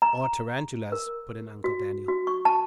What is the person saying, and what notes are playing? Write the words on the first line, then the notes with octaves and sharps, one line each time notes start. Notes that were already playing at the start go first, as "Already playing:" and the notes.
"Or tarantulas," put in Uncle Daniel.
A#5
A#4
F#4
F#4
C#6
A5